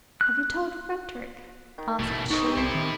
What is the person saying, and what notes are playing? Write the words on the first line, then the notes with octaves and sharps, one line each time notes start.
'Have you told Frederick?' asked she.
F#6
D#3
A1 B2 A3
G#2 D#4 C5 D#5 C#6
C4 G4
C2 E4 A4 C6
D#3